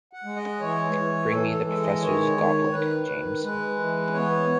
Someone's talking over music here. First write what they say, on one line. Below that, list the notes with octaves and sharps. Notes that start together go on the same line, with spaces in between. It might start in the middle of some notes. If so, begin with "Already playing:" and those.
Bring me the professor's goblet, James!
F#5
G#3
D#5
E3 C#5
E3
E3 A4
A4
G#3 A4
D#5
D#3 C#5
D#3
D#3 B4
D#3
G#3 B4
E3
B3 C#5